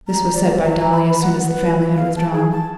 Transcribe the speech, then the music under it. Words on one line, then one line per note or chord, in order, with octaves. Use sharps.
This was said by Dolly as soon as the family had withdrawn.
A#5
D5
A#5
B5
F#5
B4
F5
A5
G#4
A5